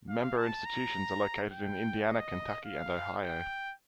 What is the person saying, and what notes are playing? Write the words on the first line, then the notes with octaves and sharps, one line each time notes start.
Member institutions are located in Indiana, Kentucky and Ohio.
F5
A5
A#5
G5
D#5
F5
G5